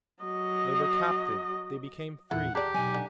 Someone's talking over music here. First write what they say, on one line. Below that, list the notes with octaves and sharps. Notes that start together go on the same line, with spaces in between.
They were captive; they became free.
F#3 D#5
E2 A#2 E3 E4 A4 F#5
G4 G#4 D5 A5 A#5 F#6
B2 F#3 D#4 G#5
D3